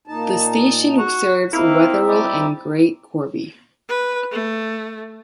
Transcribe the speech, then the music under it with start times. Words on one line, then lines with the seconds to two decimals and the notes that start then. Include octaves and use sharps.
The station serves Wetheral and Great Corby.
0.08 A#2 D#4 A5
0.99 F#4
1.53 A#3 C4 D#4 E4 E5
2.08 G3
3.89 B4
4.31 A3